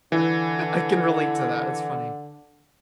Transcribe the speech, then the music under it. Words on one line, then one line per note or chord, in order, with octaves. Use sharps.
I can relate to that, it's funny.
D3 E3